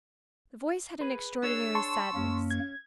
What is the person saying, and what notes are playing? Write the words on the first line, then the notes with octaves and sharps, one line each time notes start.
The voice had an extraordinary sadness.
G#4 B4
D4 G#4 C#5 E6
A5 C6 C#6
F#2 A#3 C#4
G#6